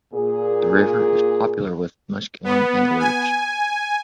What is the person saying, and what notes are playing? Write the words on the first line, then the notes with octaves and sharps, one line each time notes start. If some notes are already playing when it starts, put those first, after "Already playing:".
The river is popular with muskellunge anglers.
A#2 G#4
B3
G#5